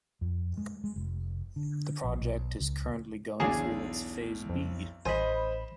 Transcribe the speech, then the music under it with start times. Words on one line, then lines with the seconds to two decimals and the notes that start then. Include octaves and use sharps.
The project is currently going through its Phase B.
0.21 F2
0.58 G#3
0.84 G#3
0.96 F1
1.56 D3
2.04 A#1
2.21 B1
2.61 C#2
3.40 B1 E2 C#3 F#3 A#3 D4 G#4
4.49 F2
5.06 A1 C5 D#5 G#5 B5